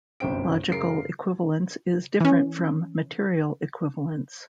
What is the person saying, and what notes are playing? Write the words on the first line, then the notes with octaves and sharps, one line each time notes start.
Logical equivalence is different from material equivalence.
G1 C2 F#2 C5 G5 D7
F#2 C#3 A#4 C7 D7
E3 C#4